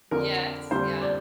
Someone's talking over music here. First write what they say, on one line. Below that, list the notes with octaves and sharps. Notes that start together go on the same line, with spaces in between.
Yes, yeah.
F2 D3 F3 A#4
F2 D3 G3 C5
D5